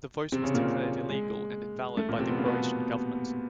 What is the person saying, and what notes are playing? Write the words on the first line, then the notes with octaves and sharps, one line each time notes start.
The vote was declared illegal and invalid by the Croatian government.
C3 C4
C#3 C#4
A#2 A#3
G#3
A3
A#2 A#3
C3 C4
B3
A#3
B2 B3